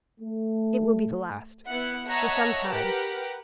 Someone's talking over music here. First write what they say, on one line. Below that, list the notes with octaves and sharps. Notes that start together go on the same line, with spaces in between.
"It will be the last--for some time."
A3
B3 E4 F#5
C#5 D#5 E5 F#5 A5 A#5
G4 A#4 B4 F#5